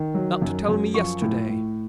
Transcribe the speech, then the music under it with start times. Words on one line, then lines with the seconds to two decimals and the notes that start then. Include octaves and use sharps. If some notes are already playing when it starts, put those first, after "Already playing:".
Not to tell me yesterday!
Already playing: D#3
0.14 F#3
0.42 F#2
0.68 F#2
0.94 F3 C#6
1.22 A2
1.49 A2